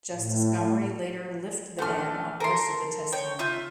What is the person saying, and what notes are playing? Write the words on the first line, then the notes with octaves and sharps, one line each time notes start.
Justice Gomery later lifted the ban on most of the testimony.
A2
A#1 A3 A4 F#5 F6
A4 A#4 C6
C#5 G5
F4 E5 G6